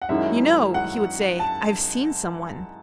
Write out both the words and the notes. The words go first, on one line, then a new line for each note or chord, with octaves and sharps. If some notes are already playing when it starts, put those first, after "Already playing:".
"You know," he would say, "I've seen someone."
F#5
F#2 D#3 G#3 C#4 E4 E5
F#5
A5